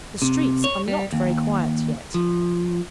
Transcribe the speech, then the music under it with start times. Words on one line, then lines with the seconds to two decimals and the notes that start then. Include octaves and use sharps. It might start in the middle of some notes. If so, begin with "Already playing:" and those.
The streets are not very quiet yet.'
0.22 C3
0.64 C#5
0.88 G3
1.13 D#2
2.14 F3